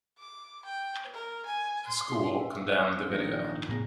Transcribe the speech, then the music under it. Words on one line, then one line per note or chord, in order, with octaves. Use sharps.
The school condemned the video.
D6
G5
A#4
G#5
C6
E5
G#5
E6
A#1 D#3 D#4
A2 C#3 B3 A#5